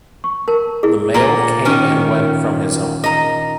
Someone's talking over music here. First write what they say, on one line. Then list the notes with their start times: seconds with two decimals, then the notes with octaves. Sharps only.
The mail came and went from his home.
0.24 C#6
0.48 A#4 A5
0.83 E4 G#4
1.14 A#2 A#5
1.65 D#3 C#4
3.04 D#5 A#5